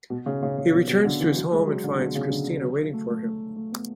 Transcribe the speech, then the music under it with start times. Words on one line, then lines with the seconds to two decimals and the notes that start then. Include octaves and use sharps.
He returns to his home and finds Kristyna waiting for him.
0.10 B2
0.26 C#3
0.43 C#3
0.58 C#3
0.73 B2
0.89 B2
1.05 D3
1.20 E3
1.36 F#3
1.52 G#3
1.67 F#3
1.84 D3
1.99 B2
2.15 C#3
2.30 D3
2.46 D3
2.62 F#3
2.93 A3
3.09 A3
3.24 A3
3.56 A3
3.72 B3